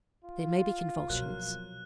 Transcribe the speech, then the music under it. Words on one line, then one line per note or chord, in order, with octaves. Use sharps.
There may be convulsions.
F4
B2 F3 F#3 A#3 F#6